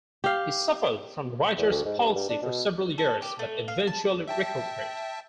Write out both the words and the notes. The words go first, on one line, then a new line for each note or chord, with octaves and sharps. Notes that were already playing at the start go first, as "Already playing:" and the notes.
He suffered from writers' palsy for several years, but eventually recovered.
G4 F5
E2
D2
G#2
G2
G2
D4
B2
A4
G4
A3
F5
A5
E5 G5 A5